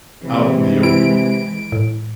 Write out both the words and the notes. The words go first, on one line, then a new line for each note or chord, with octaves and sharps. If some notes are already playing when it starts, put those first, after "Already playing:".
out in the open,
C3 E3 G#3
E4 D7
A2